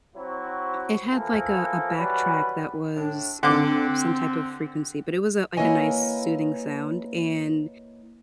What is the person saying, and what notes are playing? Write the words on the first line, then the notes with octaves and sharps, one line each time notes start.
It had, like, a a backtrack that was, uh, some type of frequency, but it was a like, a nice soothing sound. And
F#3 C4 E4 F#4
E3 F3 A#3 B3 A4
E3 F#3 G3 B4
A2 D4
D3 C4 D6
A#3 E4 B4 C#5 D#5 G#5